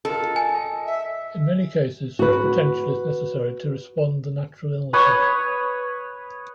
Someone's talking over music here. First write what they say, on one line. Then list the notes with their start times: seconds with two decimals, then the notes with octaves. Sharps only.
In many cases such potential is necessary to respond the natural illnesses.
0.05 F4 A4 A#4 D#5
0.36 G#5
0.55 D#5
0.86 E5
2.19 F#4 B4
4.93 B4 C#5 C#6 D#6